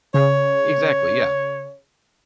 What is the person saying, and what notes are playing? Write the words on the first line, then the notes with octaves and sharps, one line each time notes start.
Exactly, yeah.
C#3 C#5